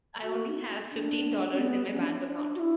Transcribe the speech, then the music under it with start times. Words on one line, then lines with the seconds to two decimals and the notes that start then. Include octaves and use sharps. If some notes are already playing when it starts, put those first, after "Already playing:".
I only have fifteen dollars in my bank account.
0.22 F#4
0.90 D4
1.52 C#4
1.59 B3
1.92 C#4
2.01 D4
2.09 C#4
2.25 D4
2.55 F#4
2.59 E4